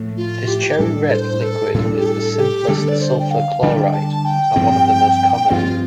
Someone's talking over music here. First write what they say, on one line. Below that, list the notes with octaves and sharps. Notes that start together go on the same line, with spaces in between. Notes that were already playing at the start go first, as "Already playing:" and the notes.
This cherry-red liquid is the simplest sulfur chloride and one of the most common.
Already playing: A2 F3 A3
F4
G4
A2 G3 D4 A4
C5
A4
A2 G3 D4 A4
G4
A4
G4
D3 G3 D4 A4
D5
C5
G5
F5
D3 G3 D4 G5
A5
G5
G2 F3 C4
G2 F3 C4 F4